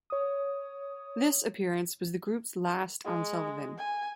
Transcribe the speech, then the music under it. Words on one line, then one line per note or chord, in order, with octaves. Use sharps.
This appearance was the group's last on Sullivan.
C#5 D#6
G#3
G#5